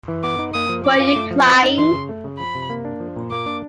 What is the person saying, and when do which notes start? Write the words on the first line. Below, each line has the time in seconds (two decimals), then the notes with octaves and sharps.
Were you crying?
0.08 E3
0.23 B3 D6
0.39 D#4
0.54 A#3 D#6
0.69 F3
0.85 C#4 D6
1.00 F4
1.16 A3
1.31 F3
1.47 C4
1.63 D#4
1.78 E3 C6
1.93 C#3
2.09 A3
2.24 C#3
2.39 F3 B5
2.55 C3
2.70 A#3
2.85 D4
3.00 F3
3.16 A#2
3.31 A#3 D6
3.46 D4